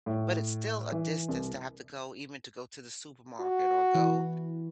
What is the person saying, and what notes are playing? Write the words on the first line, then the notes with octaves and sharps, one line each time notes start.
but it's still a distance to have to go even to go to the supermarket or go
A2
E3
C2
F#4
E3